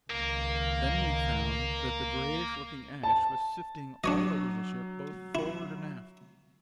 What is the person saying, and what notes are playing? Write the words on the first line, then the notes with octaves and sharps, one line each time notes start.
Then we found that the grayish-looking ash was sifting all over the ship, both forward and aft.
C#2 D#3 A#3
A5
F#3 D4 C#5 D#5
E4